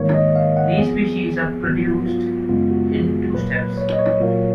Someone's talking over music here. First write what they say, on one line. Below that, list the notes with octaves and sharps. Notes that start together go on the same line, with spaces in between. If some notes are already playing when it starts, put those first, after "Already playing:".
These species are produced in two steps.
Already playing: G#2 D#3 A#3 C#5
D#5
F5
F#5
F2 F3 B3 G#4
G#2 F#3 B3 F#4
F4
F#2 C#3 G#3 B3 F4
F#4
G#4
A#2 F#3 A#3 B4
B4
C#5
D#5
C#5
A#2 F#3 A#3